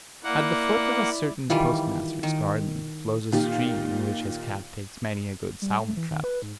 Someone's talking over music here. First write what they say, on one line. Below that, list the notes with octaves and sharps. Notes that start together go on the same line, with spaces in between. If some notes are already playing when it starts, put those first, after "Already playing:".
At the foot of a certain post-master's garden, flows a stream in which his cat takes many a good salmon-trout.
A#3 E4 D5 F#5
D#3 E3 G3 F4
D#3
A#2 D#3 F4 G4
G3
A3
E3
D#3
B4
G#2